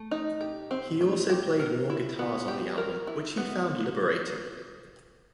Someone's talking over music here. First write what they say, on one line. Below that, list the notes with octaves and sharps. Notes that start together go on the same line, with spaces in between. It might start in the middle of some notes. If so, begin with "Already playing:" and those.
He also played more guitars on the album, which he found liberating.
Already playing: A3
D#4
G4
C4
A3
G4
A#4
E4
B3
G4
A#4
E4
B3